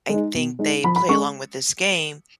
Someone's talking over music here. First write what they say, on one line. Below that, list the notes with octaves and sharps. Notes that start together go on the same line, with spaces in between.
I think they play along with this game
G#3 D#4
B2
G#3 D#4
F3 B5
B5
G#3 C#4 C#6